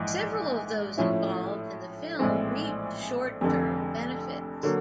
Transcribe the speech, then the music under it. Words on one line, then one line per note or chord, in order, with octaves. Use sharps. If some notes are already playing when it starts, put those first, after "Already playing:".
Several of those involved in the film reaped short-term benefits.
Already playing: A#1 G#2 E3
A2 F3 A3 C#4 E4
A#1 A2 E3 G#3 C4
F1 F2 D3
D3 F#3 A#3